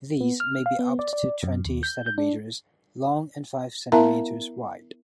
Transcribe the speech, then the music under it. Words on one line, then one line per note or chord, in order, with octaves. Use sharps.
These may be up to twenty centimetres long and five centimetres wide.
B3
F6
F5
B3
D5
D5
F#2
D#2
G6
G6
D4
B3 E4 A#4 E5 A5 A#5